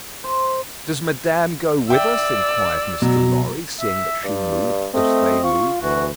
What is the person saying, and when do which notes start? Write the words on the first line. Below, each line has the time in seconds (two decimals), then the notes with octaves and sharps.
"Does Madame go with us?" inquired Mr. Lorry, seeing that she moved as they moved.
0.24 C5
1.90 D5 E5 G5 E6
3.02 B2 F#3
3.80 E5
4.25 G2 D5
4.94 A3 C4 D#5
5.44 F4 C#6
5.82 D2 E3 F#4